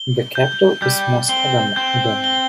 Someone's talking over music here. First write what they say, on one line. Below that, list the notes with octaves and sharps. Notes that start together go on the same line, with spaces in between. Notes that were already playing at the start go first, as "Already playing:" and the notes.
The capital is Mostaganem.
Already playing: G7
G6
G3 G6
C4 G7
C4 G6
G7